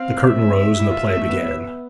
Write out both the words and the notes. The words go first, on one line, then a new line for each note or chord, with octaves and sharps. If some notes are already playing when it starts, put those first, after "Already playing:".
The curtain rose and the play began.
Already playing: C4 F5
E5
E4
F4
G#4
A3
B3